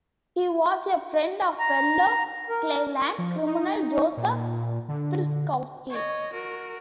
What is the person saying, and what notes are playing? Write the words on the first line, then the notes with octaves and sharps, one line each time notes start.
He was a friend of fellow Cleveland criminal Joseph Filkowski.
A#5
A#4
F3
D#4
A#2
D3
C#5 D#5
F#4 A#4